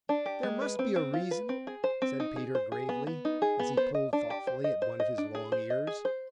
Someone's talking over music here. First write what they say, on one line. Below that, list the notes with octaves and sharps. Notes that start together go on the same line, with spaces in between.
"There must be a reason" said Peter gravely, as he pulled thoughtfully at one of his long ears.
D4
G4
G#3
B4
C4
C4
F4
B4
C4
G#4
C5
C4
D#4
G#4
C5
G#4
B3
B3
D#4
G#4
B3
C5
D#5
D4
G4
C5
D#5
C5
D#5
D4
G#4
C5
D#5
G#4
C5